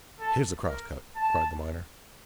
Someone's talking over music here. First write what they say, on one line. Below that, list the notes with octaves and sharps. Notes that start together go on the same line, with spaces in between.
"Here's the cross cut," cried the miner.
A4
A#4
A5